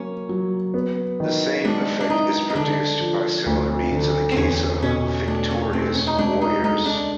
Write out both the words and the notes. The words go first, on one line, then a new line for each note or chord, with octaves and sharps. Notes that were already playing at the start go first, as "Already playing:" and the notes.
The same effect is produced by similar means in the case of victorious warriors.
Already playing: F#3 A#3 C#4
F#3
B3
D#3
G#3 D4
D4
D#4 E4
D#4
D3 D4
F3
D2
D3
C4
E2 C#4
B2 C#4
A3 D4
C#4
A3 C4
C#4
D#4
G#3 D4
D#4
G#3 D#4
D4